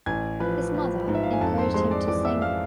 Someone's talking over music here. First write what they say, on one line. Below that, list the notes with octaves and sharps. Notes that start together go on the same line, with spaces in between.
His mother encouraged him to sing.
A1 G#5 G#6
F3 B4 B5
F3
G#2
E5
F5
G#5
F2 A4 A5
C5 C6
G#3 C5 C6
D5 D6
E3 D5 D6
E5 E6
F5 F6